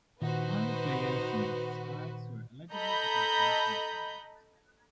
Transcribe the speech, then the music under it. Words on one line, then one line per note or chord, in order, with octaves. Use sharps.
Only players in these squads were eligible to take part in the tournament.
A#2 D#3 D#4 F#4 B4 C5
A4 D#5 A#5 B5 G6